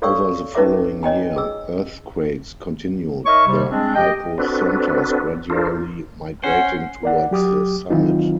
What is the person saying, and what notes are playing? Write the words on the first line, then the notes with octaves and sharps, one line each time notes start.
Over the following year, earthquakes continued, their hypocentres gradually migrating towards the summit.
A4 C#5 D5 F5 C#6 E6
C#4 D#4 B4 C#5 E5 D6
C#5 D#5 G5 G#5
G#4 E6
D#4 A#4 C#5 E5 C#6
C3 G3
G#3 C4 D4
G4 D#5 G5
C4 D4 F#4 A4 B4
D4 F4 A4 A#4 C5
C#4 C5 F#5
A#4 D5 F#5
F#3 G4 D6 D#6
D#3 E3 F#3 C4 D#4 F4